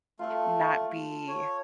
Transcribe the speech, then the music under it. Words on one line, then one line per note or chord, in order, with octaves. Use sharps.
not be
A3 F4 A4
C#5